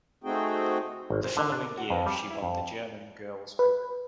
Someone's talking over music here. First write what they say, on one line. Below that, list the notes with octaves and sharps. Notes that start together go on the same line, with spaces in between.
The following year she won the German Girls Open.
A3 C4 D#4 F#4 G#4 G5
G#1
C5
D3
D4
A#4
F#4
F2
G3
G#5
E4
F2
B4